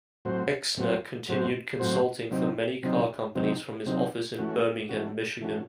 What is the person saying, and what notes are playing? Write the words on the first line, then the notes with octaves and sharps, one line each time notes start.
Exner continued consulting for many car companies from his office in Birmingham, Michigan.
A2 F#3 C4 F#4 C5
A2 F#3 C4 F#4 C5
A2 F#3 C4 F#4 C5
A2 F#3 C4 F#4 C5
C3 F#3 C4 D#4
C3 F#3 C4 D#4
C3 F#3 C4 D#4
C3 F#3 C4 D#4
E3 A3 C#4 F#4
E3 A3 C#4 F#4
E3 A3 C#4 F#4